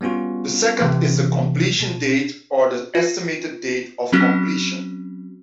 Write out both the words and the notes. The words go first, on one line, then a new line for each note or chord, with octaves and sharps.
The second is the completion date or the estimated date of completion.
G3 B3 C#4 F4 F#4
C3 E3 A3
B2
F4
F#3 C4 C#4 F#4